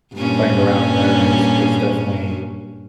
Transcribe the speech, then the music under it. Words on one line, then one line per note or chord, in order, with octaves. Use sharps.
playing around there is is definitely
G2 A#2 C#4